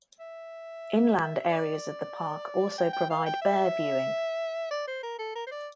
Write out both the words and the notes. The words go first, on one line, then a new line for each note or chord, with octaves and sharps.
Inland areas of the park also provide bear viewing.
E5
D5
G5
G5
F5
G5
E5
D5
C5
A#4
A4
A#4
C5
D5